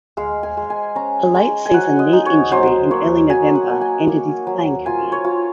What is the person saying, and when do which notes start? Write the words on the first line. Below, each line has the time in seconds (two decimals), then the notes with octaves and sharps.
A late season knee injury in early November ended his playing career.
0.17 G#3 F5
0.43 G#5
0.57 G#3
0.70 G#5
0.95 C#4 A#5
1.34 G#3 G#5
1.66 G#5
1.74 F#3 F#5
1.99 D#5
2.13 D#4
2.26 C#5
2.52 F#3 C5
2.91 A#3 C#5
3.29 F#3 G#5
3.55 F#5
3.69 A#3
3.81 G#5
4.08 A#3
4.47 F#3
4.86 F4 G#5
5.12 C#5
5.24 F4